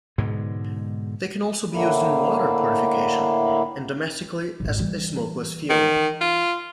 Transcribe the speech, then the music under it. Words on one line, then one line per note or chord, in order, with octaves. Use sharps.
They can also be used in water purification and domestically as a smokeless fuel.
G#2 B2 D3 G#3
A2 D3 A#3 E4
G#1 A#2
E3 G3
D#3
F4